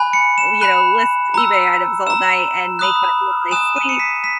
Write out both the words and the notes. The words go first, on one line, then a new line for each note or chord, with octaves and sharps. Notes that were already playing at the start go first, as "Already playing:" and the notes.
li know, list eBay items all night and make money while I sleep,
Already playing: G#5 B5 F#6
C#7
E7
B5 F#6
A#5 E6
A#5 E6 E7
B5 D#6 F#6
G#5 D#6 F#6 E7
D#7
C#7
B6
B6